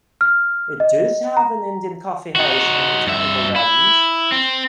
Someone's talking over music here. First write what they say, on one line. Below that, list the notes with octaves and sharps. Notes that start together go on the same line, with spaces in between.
It does have an Indian Coffee House and Botanical Gardens.
F6
D#5
A#5
D#4 F#4
G2 E5
E4
C4